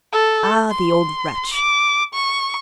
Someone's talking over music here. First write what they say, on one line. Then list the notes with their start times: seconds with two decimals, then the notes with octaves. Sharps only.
Ah, the old wretch!
0.12 A4
0.71 C6
1.53 D6
2.14 C#6